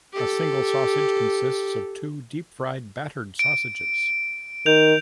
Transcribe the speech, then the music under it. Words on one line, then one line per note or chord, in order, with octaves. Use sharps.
A single sausage consists of two deep fried battered sausages.
G4 A4
D7
D#3 G6 F7